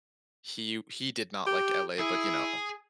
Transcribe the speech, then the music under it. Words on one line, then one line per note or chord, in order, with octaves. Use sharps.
he he did not like LA, but, you know
G4
E4 G#4